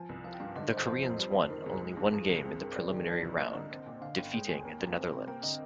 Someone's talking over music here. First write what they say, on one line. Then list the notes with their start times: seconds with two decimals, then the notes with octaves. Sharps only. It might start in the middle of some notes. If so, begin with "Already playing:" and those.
The Koreans won only one game in the preliminary round, defeating the Netherlands.
Already playing: F3 G#5
0.09 C2
0.24 F3 F5
0.34 G5
0.40 G2 F5
0.56 D3 D#5
0.72 G#1 C5
0.87 F3 C5
1.03 F2
1.19 G3
1.35 F2
1.50 D#3 A#4
1.66 C2 G#4
1.82 G#3
1.97 G2
2.13 F3 G#4
2.29 C2 G4
2.44 C4 G#4
2.60 G2 A#4
2.76 C4 D5
2.91 D#3
3.08 F3
3.23 C2
3.39 A#3 D#5
3.55 D3
3.71 C4
3.86 A#2
4.01 D3 F5
4.17 G1 G5
4.33 G#3 G5
4.49 D#2 G#5
4.65 A#3
4.80 G2
4.96 C4
5.12 C3
5.27 A#3 G5
5.43 D3 D#5